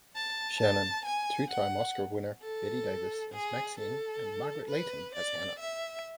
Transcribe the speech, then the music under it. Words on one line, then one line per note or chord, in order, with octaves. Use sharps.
Shannon, two-time Oscar winner Bette Davis as Maxine and Margaret Leighton as Hannah.
A5
A5
G#5
F#5
A4
G#4
A4
B4
D5
E5